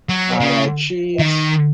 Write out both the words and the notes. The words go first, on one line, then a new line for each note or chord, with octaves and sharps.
I add cheese.
F#3
C#3
D#3